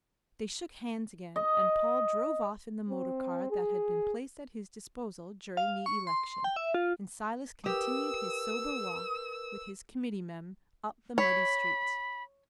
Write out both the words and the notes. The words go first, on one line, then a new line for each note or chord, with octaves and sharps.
They shook hands again, and Paul drove off in the motor car that had been placed at his disposal during the election, and Silas continued his sober walk with his committee-men up the muddy street.
D#5
C4
G#4
F5
C#6
C6
G5
E5
F4
G4 A#4 B4 D#6 E6
C#5 B5